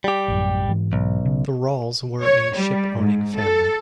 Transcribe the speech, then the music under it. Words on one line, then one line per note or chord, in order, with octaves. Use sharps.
The Rawles were a ship-owning family.
G3 G4
A1 F#2
G#2 E3
B1
C#3
C#5
G3
G#2
A4